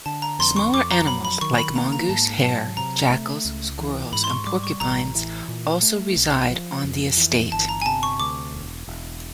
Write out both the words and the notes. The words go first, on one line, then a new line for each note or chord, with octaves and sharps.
Smaller animals like mongoose, hare, jackals, squirrels and porcupines also reside on the estate.
D3 A5
A#5
F2 C6
C#6
F2 D6
A#5
F#3 B5
B5
D#3 C#6
B5
A#3 A#5
A#5
G#2 A5
F#3 A5
C3 A#5
A3
C#2
E3
G#2 B5
C6
C#6
G3 D6
C#6
A1 A#5
E3
A#2
A3
B1
F3
F2
E3
G1 A5
A#5
G#5
C3 A5
C#6
D2 D6
E1
E1